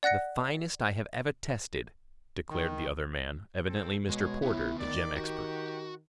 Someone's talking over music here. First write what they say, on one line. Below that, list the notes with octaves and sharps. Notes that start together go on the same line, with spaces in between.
"The finest I have ever tested!" declared the other man, evidently Mr. Porter, the gem expert.
D5 F#5 F#6 A#6 C#7
D#3
C4 A4
B2 G#3 C#5
D2 B3 E4
D#3 D5
F#4 G4